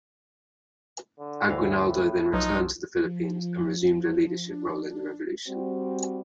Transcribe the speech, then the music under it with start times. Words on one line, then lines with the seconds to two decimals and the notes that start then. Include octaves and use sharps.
Aguinaldo then returned to the Philippines, and resumed a leadership role in the revolution.
1.19 D3
1.50 D2 A2 E3 F5
2.33 B1 F3 F#3 D#4
2.97 F3
4.44 D4
5.47 G3 C4 F#4